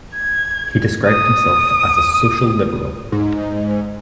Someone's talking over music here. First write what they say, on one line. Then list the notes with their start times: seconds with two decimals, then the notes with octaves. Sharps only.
He described himself as a 'social liberal'.
0.14 G#6
1.07 D#6
3.12 G#2